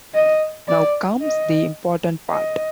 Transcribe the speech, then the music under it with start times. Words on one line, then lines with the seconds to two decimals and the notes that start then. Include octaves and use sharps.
Now comes the important part.
0.14 D#5
0.68 D5
1.22 D#5
2.30 D#5